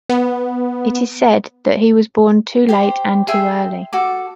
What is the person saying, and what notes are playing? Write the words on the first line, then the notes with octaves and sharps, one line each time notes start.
It is said, that he was born too late and too early.
B3
G4 C5
G#4 E5 G5 C6
F#4 A4 D6